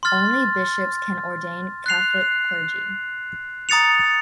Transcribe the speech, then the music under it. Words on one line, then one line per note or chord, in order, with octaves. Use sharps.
Only bishops can ordain Catholic clergy.
C6 F6 A6
F#6 C7 F7
A#5 D#6 A6 C#7 F7